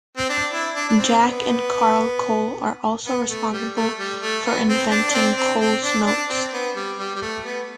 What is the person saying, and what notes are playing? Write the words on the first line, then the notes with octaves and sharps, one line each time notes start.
Jack and Carl Cole are also responsible for inventing Coles Notes.
C4
D4
E4
D4
D4
C4
B3
B3
A3
G3
A3
G3
A3
B3
C4
D4
D4
C4
C4
C4
D4
D4
C4
B3
G3
G3
G3
A3
B3